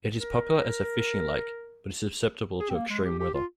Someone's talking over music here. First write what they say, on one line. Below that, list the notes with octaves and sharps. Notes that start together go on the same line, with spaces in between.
It is popular as a fishing lake, but is susceptible to extreme weather.
A#4
G#4
C4
A#3
G#3
G4
G4
F4